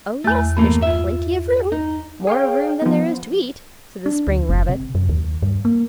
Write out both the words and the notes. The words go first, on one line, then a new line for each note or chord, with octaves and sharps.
"Oh, yes, there's plenty of room--more room than there is to eat," said the spring rabbit.
E2 A3 A6
E2 G2 A3 A#3
F4 E5
D#4
G#4 C#5 F5 G5
F3 B3
D4
D2
F#1
C3
F#2
D#2
G2
A#3